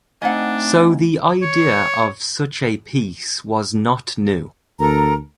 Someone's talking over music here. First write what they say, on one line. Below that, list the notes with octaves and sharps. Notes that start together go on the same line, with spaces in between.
So the idea of such a piece was not new.
A3 C4 D4 D#4 D#5 F#5 G#5
C#5
D2 A4 A#4 A#5